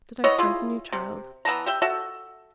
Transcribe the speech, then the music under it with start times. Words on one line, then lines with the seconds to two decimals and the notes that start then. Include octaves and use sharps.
Did I frighten you, child?
0.24 B3 E4 C#5 D#5
0.38 E4 F4 G#4
0.92 C3
1.45 E3 B3 A5 A#5
1.66 G4 E5 G5
1.82 F#4 A4 E5